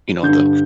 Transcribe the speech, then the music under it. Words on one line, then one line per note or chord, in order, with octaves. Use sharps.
you know, the
G2 D3 G6